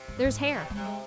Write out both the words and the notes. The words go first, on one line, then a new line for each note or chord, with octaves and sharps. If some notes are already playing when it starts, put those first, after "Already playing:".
There's hair.
Already playing: C3
G#2
G2
G#2
F3
D#3 G3
B2
G#3
C3 G3
G#3